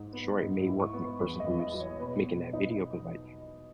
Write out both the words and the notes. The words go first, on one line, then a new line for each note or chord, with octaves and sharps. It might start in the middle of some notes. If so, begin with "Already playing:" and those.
sure, it may work for the person who's making that video, but, like,
Already playing: G#2 D#4
B3
G#2
E4
C#6
B3
E2 B5
D#5
E2
D#5
F#3
C#5
B2 B4
B2
D#4